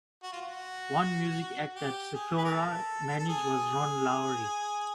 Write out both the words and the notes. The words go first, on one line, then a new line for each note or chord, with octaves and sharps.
One music act that Sikora managed was Ron Lowry.
F#4
F4
F#4
G4
G#4
B4
A#4
A4
A4
G#4